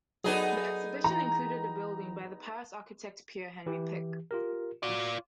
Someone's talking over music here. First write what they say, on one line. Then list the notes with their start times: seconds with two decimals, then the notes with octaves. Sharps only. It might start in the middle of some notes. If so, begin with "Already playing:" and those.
The Exhibition included a building by the Paris architect Pierre-Henri Picq.
0.24 F#3 B3 D#4 G#4 A4 D5
1.04 E3 E4 G5 A#5
3.66 E3 G4
4.31 F4 G4 A#4
4.83 F4 F#4 D5